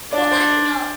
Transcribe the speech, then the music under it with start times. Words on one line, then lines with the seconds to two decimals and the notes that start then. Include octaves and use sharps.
Well, I don't know
0.12 D4 D5
0.31 C5